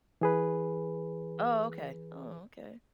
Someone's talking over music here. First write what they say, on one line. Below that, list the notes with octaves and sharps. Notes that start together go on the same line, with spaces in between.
Oh, okay, oh, okay
E3 G#4 B4